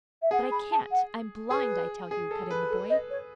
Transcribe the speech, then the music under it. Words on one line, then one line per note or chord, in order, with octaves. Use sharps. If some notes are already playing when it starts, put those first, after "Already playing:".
"But I can't--I'm blind, I tell you!" cut in the boy.
E5
G#4 F#5
B5
A5
F#5
G#4 B4
G#4
A4
B4
A4
D#5
C#5